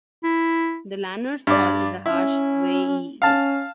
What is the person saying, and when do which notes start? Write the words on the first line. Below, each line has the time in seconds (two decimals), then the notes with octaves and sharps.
The lanner's call is a harsh "wray-e".
0.24 E4
1.47 G2 D5
2.06 C#4 E4
3.22 C#4 F5 A5